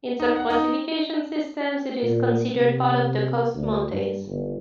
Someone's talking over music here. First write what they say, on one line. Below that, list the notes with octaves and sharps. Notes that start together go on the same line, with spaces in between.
In some classification systems it is considered part of the Coast Mountains.
D#4
F#5
D#4
A#2
C3
D2
G2
G1